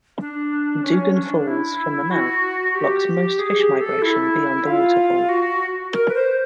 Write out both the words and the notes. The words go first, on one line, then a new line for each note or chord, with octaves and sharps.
Dougan Falls, from the mouth, blocks most fish migration beyond the waterfall.
D4
C#4
D4
E4
F#4
G4
G#4
G4
A4
E4
F4
F#4
A#4
B4
C5